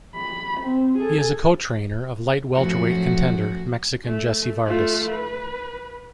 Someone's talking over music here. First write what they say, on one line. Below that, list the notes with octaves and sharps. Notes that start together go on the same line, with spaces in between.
He is a co-trainer of light welterweight contender, Mexican Jesse Vargas.
B5
C4
G#4 A4
F#2 A2 F3 F#3 F#4 F#5
A3
A3 F4
B4